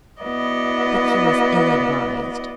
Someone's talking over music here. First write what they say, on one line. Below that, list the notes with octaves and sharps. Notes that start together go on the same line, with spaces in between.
But he was ill-advised.
B3 E4 F#4 D5 D#5